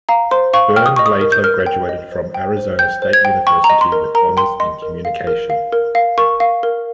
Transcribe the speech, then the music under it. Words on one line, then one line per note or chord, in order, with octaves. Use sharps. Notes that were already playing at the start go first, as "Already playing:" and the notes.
Byrne later graduated from Arizona State University with Honors in Communication.
F5 A#5
C5 C6
F5 C#6
G5 F6
D#6
D#5 C#6
D#6
A#4
G6
A#4 F6
G5
D#5
C5
G5
C5
G5 G6
C5
G#6
G5
G5 C#6
A#5
D#5
C6
A#4
A#4 A#5
G5 C6
D#5 C6
A#4
F5
A#4
F5
A#4
F5
A#4 C#6
F5
A#4